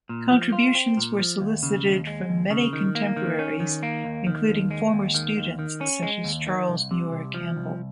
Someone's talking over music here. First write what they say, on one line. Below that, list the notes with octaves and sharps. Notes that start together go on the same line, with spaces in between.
Contributions were solicited from many contemporaries, including former students such as Charles Muir Campbell.
A#2
F3
F4
C4
A#2
F3
D#2
C#3
D#2
G#3
D#2
C#3
D#3
A#3
D#3
C#4
D#3
A#3
D#2
D#3
D#2
G#3
D#2
D#3
D#2
D#3
C#4
G#3
D#2
D#3
C2
C3
C2
F3
C2